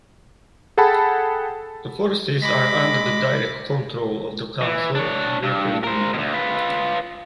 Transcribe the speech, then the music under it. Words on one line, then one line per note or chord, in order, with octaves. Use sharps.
The forces are under the direct control of the Council of the European Union.
G#4 A4 F#5 G5 A5 B5
G#3 B5 D6 A#6 B6
E3
D4 C#5
G2
A#4 C5
D2 B2
F4 B4